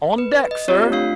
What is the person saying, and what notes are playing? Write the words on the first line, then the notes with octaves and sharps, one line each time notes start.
"On deck, sir."
B4
D#5
C4 F4 G4 C#5
A3 D4 F4 F5 C7